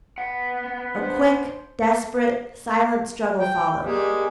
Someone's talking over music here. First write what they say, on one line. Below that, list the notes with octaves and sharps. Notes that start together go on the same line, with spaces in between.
A quick, desperate, silent struggle followed.
B3 F#5
D4 C5
G5
G3 G#3 A#3